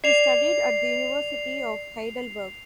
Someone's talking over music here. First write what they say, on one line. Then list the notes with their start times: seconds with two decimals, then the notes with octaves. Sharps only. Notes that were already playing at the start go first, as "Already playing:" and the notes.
He studied at the University of Heidelberg.
0.04 D5 C7 F7